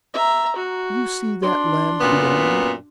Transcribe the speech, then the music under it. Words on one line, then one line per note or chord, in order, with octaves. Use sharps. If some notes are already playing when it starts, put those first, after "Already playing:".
Do you see that land beyond?'
E5 A#5
F#4
D4 C6
F#2 A#2 B3